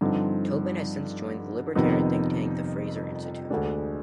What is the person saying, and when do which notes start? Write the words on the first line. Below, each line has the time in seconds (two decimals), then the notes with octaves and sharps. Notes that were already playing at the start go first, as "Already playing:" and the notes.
Tobin has since joined the libertarian think-tank the Fraser Institute.
0.01 G2 D3 F3 C4 D#4
1.75 F2 C3 D#3 B3 D#4
3.50 D2 D3 G#3 D4